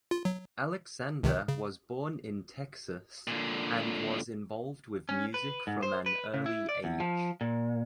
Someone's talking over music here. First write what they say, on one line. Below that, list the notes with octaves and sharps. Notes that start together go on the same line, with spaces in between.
Alexander was born in Texas and was involved with music from an early age.
F4
F#3
C#2 C3 D#3
C#3
A#2 D3
C#4
B4
G#2
C5
B4
C#3
E4
D5
E2
F3
A#2